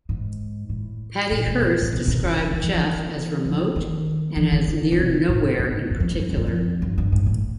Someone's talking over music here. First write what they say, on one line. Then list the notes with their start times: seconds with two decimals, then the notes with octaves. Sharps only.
Patty Hearst described Jeff as remote and as near nowhere in particular.
0.09 G#2
0.69 A2
1.31 A#2
1.47 B2
1.62 C3
1.82 A2
1.93 B2
2.08 C3
2.24 C#3
2.47 E3
2.53 D#3
2.64 E3
2.74 F3
2.85 E3
3.45 F3
3.76 D#3
4.37 E3
4.52 D#3
4.68 D3
4.92 C#3
4.98 C3
5.29 A2
5.59 G#2
5.91 F#2
6.00 F2
6.11 F2
6.19 F#2
6.29 F2
6.37 F#2
6.47 F2
6.82 G2
6.98 G2
7.12 G#2
7.26 A2